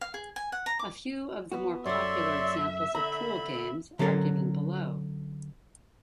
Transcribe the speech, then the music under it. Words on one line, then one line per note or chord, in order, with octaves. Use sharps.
A few of the more popular examples of pool games are given below.
F5
G#4
G#5
F#5
A#5
D6
B3 F#4
F#2 A3 C#5 D5 E5 C6
D3 A#5 B5
D3 F#3 C#4 A4 A#4